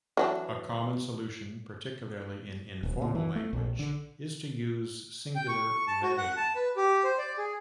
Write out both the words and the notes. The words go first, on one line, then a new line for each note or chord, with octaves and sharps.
A common solution, particularly in informal language, is to use singular "they".
E3 F#3 D4
D1
A#2
E3
A3
A#1
D3
G5
C#6
A5
F#4
F#5
A5
B4
G4
C5
D5
G#4